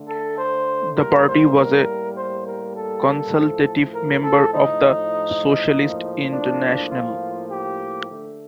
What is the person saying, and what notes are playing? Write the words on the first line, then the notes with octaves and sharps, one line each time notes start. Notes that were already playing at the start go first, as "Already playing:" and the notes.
The party was a consultative member of the Socialist International.
Already playing: D3 A3
A4
C5
A2 G3 A#3 A#4
C5
A#4
C5
A#4
A4
A2 F3 A3
A#4
A4
D#4
A2 F3 A#3
D4
F4
G4
D3 A3